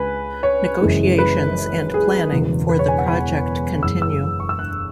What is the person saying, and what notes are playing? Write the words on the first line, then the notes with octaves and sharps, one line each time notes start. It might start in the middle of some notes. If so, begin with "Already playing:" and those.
Negotiations and planning for the project continue.
Already playing: C#2 C#3 G#3 B4 G#5
C#5
F#1 F#2 E3 G#3
B4
G#4
E1 E2 C#3 F#3
B4
C#5
G#5
F#5
B5
F#1 F#2 E3 G#3 E6
E6
C#6
E6
F#6